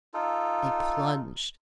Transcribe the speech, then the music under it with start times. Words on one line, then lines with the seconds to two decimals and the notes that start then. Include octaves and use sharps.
They plunged.
0.14 D#4 F4 A4